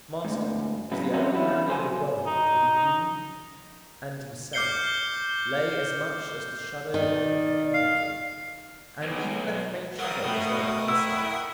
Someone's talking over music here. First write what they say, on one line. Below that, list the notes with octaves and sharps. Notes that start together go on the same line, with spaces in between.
Marsden was the only man in the world between whom and himself lay as much as the shadow of an enmity; and even that faint shadow was now passing.
D2 G#2
C#3 F#3 B3 B4
C4 C#4 F#4 C5 C#5 E5
E2 D3 G3 E4
F2 F#3 C5 G#5
D#4
D6 F6 G6 C7 C#7 G7
D#3 D5
F5
B1
F#3 G3 A#4 F#5 D#6
B2 A3 G5
E4 E6